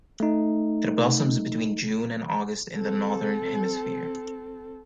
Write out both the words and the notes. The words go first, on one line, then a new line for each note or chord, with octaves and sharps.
It blossoms between June and August in the Northern Hemisphere.
A3 D#4
C4 A4